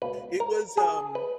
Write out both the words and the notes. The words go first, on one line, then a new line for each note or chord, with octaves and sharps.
It was, um
C#2 B2 A#3 B4
A#4
G#4
B4